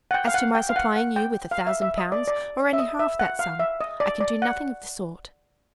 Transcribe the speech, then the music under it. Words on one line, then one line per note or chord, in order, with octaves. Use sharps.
As to my supplying you with a thousand pounds, or only half that sum, I can do nothing of the sort.
F#5
G5
F5
F#5
G5
F5
F#5
F#5
G5
F5
E5
E5
D#5
D5
D5
E5
D#5
E5
F#5
F5
E5
D#5
D5
D5
F#5